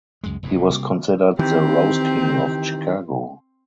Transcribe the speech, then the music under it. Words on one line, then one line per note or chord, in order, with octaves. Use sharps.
He was considered the "Rose King" of Chicago.
C#2 F#2 G#3
F1 E2 G#2
C3 G3 G#3 A#3
D#3 E3 C4 G4